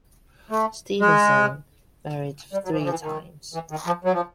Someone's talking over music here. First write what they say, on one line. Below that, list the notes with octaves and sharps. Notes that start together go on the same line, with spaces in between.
Stevenson married three times.
A3
G#3
G3
F#3
F3
E3
F3
E3
D#3
E3
D#3
F3
F#3
F3